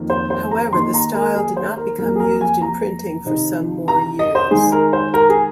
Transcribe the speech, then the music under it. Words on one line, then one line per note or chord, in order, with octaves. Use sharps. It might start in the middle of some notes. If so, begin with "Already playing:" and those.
However, the style did not become used in printing for some more years.
Already playing: F2 D#3 A#3
C5
C5
A#5
D#3 A#3 D#4 C6
A#5
A#4
G#4
C5
A#4
F2 F3 A#3 A#4
G#4
A#4
G#5
A#5
C3 D#3 C4 D#4
A#5
D#5
C5
D#3 G#3 D#4 G#4
A#4
C5
A#4
G#4